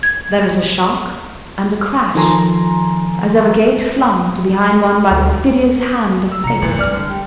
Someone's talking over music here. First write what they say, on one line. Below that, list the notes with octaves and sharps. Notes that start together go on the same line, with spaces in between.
There is a shock and a crash, as of a gate flung to behind one by the perfidious hand of fate.
G#6
D#3 F3 A4 G#5 A#5 C6
D2
E6
C3 A#5 C#7
G#1 G#2 E3 A3
G3 G#3 D5 F6
D3
G4